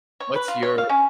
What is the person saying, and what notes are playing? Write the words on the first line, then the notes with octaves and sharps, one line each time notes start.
What's your
C#5
B4
F4
C#5
F5
C#4